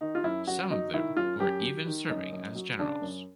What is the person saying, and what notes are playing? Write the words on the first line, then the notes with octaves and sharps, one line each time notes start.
Some of them were even serving as generals.
D#3 D#4
F4
F#2 E4
F#2 F#4
F#3 D#4
D#3 E4
F#2 F4
F#2 G4
F#3
D#3
F#2 D#4
F#2
F#3
C#3 D4
F#2